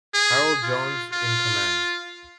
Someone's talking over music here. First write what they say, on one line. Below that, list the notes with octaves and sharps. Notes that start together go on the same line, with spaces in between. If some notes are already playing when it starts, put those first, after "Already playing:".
Harold Jones in command.
G#4
F4
F4